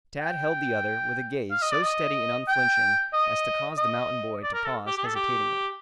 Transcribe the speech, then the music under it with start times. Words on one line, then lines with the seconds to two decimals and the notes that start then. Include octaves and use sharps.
Tad held the other with a gaze so steady and unflinching as to cause the mountain boy to pause hesitatingly.
0.21 G5
1.51 F5
1.62 D#5
1.72 D5
1.83 D#5
2.48 G5
3.13 D#5
3.78 D#5
4.43 D5
4.54 A#4
4.65 A4
4.87 G4
4.97 G4
5.06 A4
5.15 G4